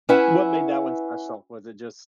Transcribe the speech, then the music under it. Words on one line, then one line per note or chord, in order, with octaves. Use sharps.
What made that one special? Was it just
C#4 E4 B4 E5 F#5 G#5